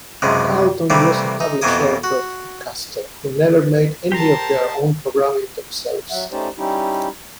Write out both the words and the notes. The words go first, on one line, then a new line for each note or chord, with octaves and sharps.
Carlton was a publisher broadcaster who never made any of their own programming themselves.
C#2 F#2 C3 G#3
C3 E3 G3 A3 A#3 C4
D#4
F2 B2 E3 A#3 G#5 D#6
F#4
G4 A#4 C5 A5 A#5
F#3 E5 F#5
A3 C#4 D#4 G4 C5 D5
G3 C#4 D#4 E4 G4